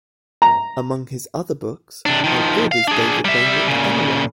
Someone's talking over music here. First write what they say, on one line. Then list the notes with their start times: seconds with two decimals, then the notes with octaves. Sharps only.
Among his other books, How Good Is David Mamet, Anyway?
0.42 A#5
2.06 C3 D4
2.24 D#3 F3
2.72 F5
2.88 D4 G#4
3.25 G3 E5
3.68 A#2 C#3